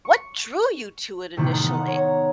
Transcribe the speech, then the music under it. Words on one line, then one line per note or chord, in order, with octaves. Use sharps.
what drew you to it initially?
C#6
A2 C3 D#3 E3 A3 B3
A4 D#5 A#5
B3 F#5
C#5 A#5